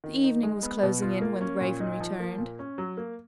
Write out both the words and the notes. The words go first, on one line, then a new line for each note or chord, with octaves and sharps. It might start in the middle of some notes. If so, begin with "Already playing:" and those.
The evening was closing in when the Raven returned.
D#3
D#4
G#3
B3
B2
F4
A#3
C#4
A#2
D#4
F3
A#3
A#2
C#4
F#3
A#3